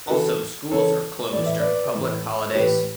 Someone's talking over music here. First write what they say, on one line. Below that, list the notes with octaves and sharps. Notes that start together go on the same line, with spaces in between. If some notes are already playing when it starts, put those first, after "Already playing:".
Also schools are closed during public holidays.
B4
C#3 E3 F#4 A4
C#3 E3 A4 C#5
A2 E3 D5
E5
B4 D5
A2 E3
C#5
A2 E3 G4 B4